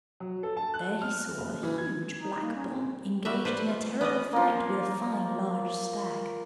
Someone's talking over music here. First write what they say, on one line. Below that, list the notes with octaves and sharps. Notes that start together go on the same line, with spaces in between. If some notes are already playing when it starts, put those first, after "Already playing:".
There he saw a huge black bull engaged in a terrible fight with a fine large stag.
F#3
A4
A5
F#6
F6
F#1
E3
G#6
D#4
A#3
C#4
C4
G3 F#4 E5
B4 C5 D5
F4
B3 C#4 D5 D#5
F3 A#3